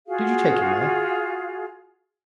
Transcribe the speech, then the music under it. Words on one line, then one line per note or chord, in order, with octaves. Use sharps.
'Did you take him there?'
F4 F#4 G#4 F5